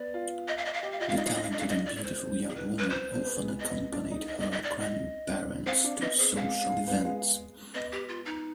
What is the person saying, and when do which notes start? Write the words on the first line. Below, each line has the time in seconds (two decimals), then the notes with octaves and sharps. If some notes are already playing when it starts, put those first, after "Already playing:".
The talented and beautiful young woman often accompanied her grandparents to social events.
Already playing: B3 D5
0.14 F4
0.48 D#5
0.57 F5
0.65 D#5
0.73 F5
0.82 G4 D#5
0.91 F5
1.00 F4 D#5
1.08 F5
1.17 D#4 D#5
1.26 F5
1.34 D#5
1.43 F5
1.51 D4 D#5
1.60 F5
1.69 D#5
1.86 D5
1.96 D5
2.04 C5
2.49 G#4
2.56 B4
2.78 B4
2.90 C5
3.25 B3
3.36 G#3
3.48 B3
3.60 D#5
3.93 D4
4.11 D#4
4.28 D#5
4.40 D#5
4.52 D#5
4.63 D5
4.80 D#5
5.66 C4 F5
5.84 D4
6.01 B3 D#5
6.18 C4 G#4
6.36 G#3 F5
6.70 G#3
6.87 B3
7.05 G#3
7.75 B3 D#5
7.92 G4
8.08 F4
8.25 D#4